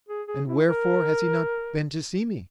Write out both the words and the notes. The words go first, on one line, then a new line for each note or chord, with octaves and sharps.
"And wherefore has he not been to see me?"
G#4
G#4
E4
A#4